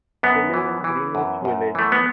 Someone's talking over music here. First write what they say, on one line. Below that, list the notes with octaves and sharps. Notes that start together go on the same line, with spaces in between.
They live in Greenwich Village.
F#2 B3
E3
E3
F#2
F#2
E3 A3
B3